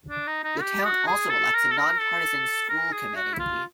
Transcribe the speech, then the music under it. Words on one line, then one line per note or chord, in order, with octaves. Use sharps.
The town also elects a non-partisan school committee.
D4
D#4
D#4
G4
F#4
G#4
A4
A#4
A4
A#4
A4
A#4
G#4
F#4
E4
F4